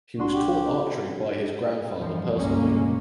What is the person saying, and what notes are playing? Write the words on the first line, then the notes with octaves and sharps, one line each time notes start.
He was taught archery by his grandfather personally.
C2 D4 F#4 C6
G4
E2 G2 F3
G1 C#2 B2 G#3 A#3 C#4